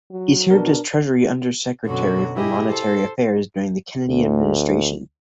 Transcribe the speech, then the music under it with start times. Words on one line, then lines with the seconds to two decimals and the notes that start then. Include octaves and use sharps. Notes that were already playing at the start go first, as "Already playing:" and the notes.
He served as Treasury Undersecretary for Monetary Affairs during the Kennedy administration.
0.11 F#3
0.51 B2 D4 A#4
1.86 F#2 B2 D3 F#3 F#4
2.36 E4 G4 G#4 D#5 G#5
2.70 A4 C5
4.09 D2